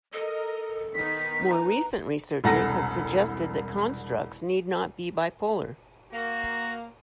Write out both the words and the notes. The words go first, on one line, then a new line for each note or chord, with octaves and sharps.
More recent researchers have suggested that constructs need not be bipolar.
A4 A#4 D#5
D#3 B3 D#4 B6
B4 A#5
E1 C2 A4 F#5 A#5 A#6
A#3 F#4